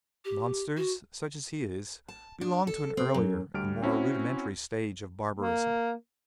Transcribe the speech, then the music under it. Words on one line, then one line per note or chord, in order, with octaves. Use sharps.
Monsters such as he is belong to an earlier and more rudimentary stage of barbarism.
G4
F#4
A5
D4
A4
C4
F#2
D2 G3 F6 D7
C4 C#4 E4 F#4
A#3